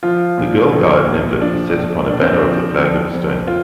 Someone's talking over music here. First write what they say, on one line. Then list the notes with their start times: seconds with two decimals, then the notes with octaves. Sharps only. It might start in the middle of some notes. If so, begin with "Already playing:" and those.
The Girl Guide emblem is set upon a banner of the flag of Estonia.
0.03 F3 F4
0.38 A#2
0.72 A#1
1.07 A#1
1.41 F3 D4
1.75 A#1
2.09 A#1 D4
2.21 C4
2.33 D4
2.44 F3
2.78 F2
3.14 F2
3.47 F4